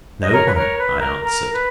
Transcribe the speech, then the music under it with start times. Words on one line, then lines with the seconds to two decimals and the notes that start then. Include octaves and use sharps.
"No one," I answered.
0.21 D#5
0.32 A#4 C#5
0.46 B4
0.54 A#4 C#5
0.78 B4
1.01 A#4
1.24 A#4
1.54 B4